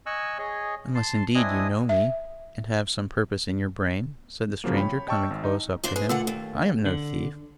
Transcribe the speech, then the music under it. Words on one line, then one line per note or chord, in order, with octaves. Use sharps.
Unless indeed you know me, and have some purpose in your brain?' said the stranger, coming close up to him. 'I am no thief.'
D#5 G#5 C#6 E6 F#6
G#4 C#5 D#5
A5 C6
C4 D4 E4 D#5 G#5 D#6
E5
C#3 F3 F#3 A#3
C#5 G5 B5
D#5 G5 A5 C#6 E6 F6
G#1
D#4
D#2 D4 C5
G#4 B4
A#2 D3 A3 F4 F#5 E6
D#2
D3